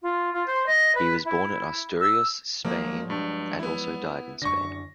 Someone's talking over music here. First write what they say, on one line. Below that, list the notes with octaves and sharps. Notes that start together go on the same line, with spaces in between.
He was born in Asturias, Spain and also died in Spain.
F4
F4
C5
D#5
B4
E4
E6
F3 F#3 G#3 A#3
G2
B3 E4
F#2 D3 C#6 A#6